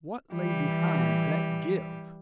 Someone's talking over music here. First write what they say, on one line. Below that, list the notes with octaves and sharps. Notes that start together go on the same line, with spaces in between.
What lay beyond that give?
E3 G3